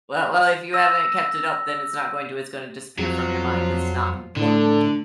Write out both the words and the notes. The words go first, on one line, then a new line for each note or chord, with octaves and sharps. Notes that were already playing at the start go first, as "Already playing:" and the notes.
Well well if you haven't kept it up, then it's not going to it's gonna disappear from your mind 'cause it's not important.
E6 A#6
F2 F3 F#3 F4
A2 D3 A3 A4 D5